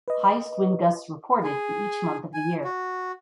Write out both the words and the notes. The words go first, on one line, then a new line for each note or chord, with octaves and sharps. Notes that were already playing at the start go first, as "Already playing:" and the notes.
Highest wind gusts reported in each month of the year.
B4 D#5
G#4
G#5
F#4